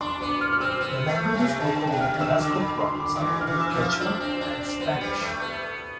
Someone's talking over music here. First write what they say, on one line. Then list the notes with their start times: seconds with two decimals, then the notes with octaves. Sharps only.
The languages spoken in the Carrasco Province are mainly Quechua and Spanish.
0.01 D4 C6
0.21 B3 D6
0.41 F6
0.52 F6
0.61 C4 E6
0.81 B3
1.07 A3
1.34 C3
1.60 D3 A5
1.81 G5
1.87 C3
2.01 F6
2.14 D3
2.21 E6
2.40 D3 D6
2.61 B5
2.80 C6
3.00 D6
3.15 D3
3.21 E3 D6
3.41 F6
3.47 E3
3.60 E6
3.73 F3
3.80 F6
4.00 D4 E6
4.20 C4
4.41 D4
4.61 C4
4.80 B3
5.01 G3
5.21 A3
5.41 B3